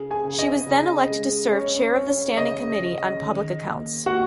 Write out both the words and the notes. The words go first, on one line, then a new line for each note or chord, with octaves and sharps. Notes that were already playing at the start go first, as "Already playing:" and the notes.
She was then elected to serve chair of the Standing Committee on Public Accounts.
Already playing: C#3 G#4
G#4 G#5
C#3
D#5
C#3
G#3
C#4
C#4
C#3 D#5
C#3
D#3
A#3
A#3 F#4 F#5